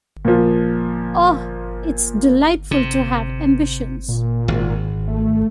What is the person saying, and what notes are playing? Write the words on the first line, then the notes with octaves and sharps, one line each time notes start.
Oh, it’s delightful to have ambitions.
A#2 F3
C3
A#2
G#1
A3